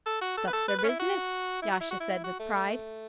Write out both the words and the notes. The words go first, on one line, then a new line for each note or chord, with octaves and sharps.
"That's our business," Yasha said with pride.
A4
F#4
A4
B4
A4
B4
B4
C#4
E4
F#4
E4
F#4
E4
F#4
E4
F#4
A3
A3